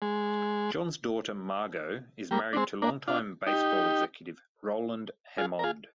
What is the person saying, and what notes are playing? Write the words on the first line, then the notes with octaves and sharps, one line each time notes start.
John's daughter Margo is married to longtime baseball executive Roland Hemond.
G#3
G3 A#3
D4
G#3 C4
A#3 D4
D4 F4
D#4 G4
F4 G#4
A#4
F4 G#4